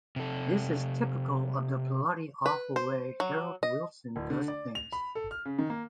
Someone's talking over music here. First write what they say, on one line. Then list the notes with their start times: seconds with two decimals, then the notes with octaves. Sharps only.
This is typical of the bloody awful way Harold Wilson does things!
0.16 C3 A4
2.46 B4
2.76 C5
3.20 F#3
3.63 D#5
4.16 D1
4.30 D3
4.48 D5
4.75 F7
4.92 B5
5.15 A4
5.31 F6
5.45 C#3
5.59 D#3
5.70 A#3